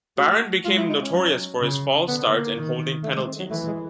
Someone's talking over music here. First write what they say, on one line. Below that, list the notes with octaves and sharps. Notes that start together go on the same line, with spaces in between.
Barron became notorious for his false start and holding penalties.
A3 F#4
G#3 F4
E4
D#4
C#4
F#3
C#3
D3 B3
A#3
D#3
A3
G#3
C4
F#3
E3 A3
G#3